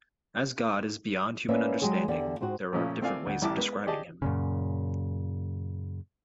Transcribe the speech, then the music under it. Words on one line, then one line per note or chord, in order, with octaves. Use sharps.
As God is beyond human understanding, there are different ways of describing him.
A#3 C#4 B4 D5 E5
F#3 G#3 G4 G#4 C#5
E2 D3 G4 D5
G#2 C4 D#4 F#4
A#2 C#3 F3 A3 C#4
A3 C4 F4 D5 F5 G#5
D2
A1 G3 E4 A5 D6
G#3 B3
G4 G#4 D5 D#5 A5
F#2 A#2 C#3